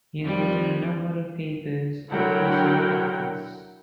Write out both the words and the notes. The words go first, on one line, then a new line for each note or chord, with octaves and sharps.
He has written a number of papers on fossil elephants.
F2 F3 G3
D3 F#3 E4 A#4 F#5 G5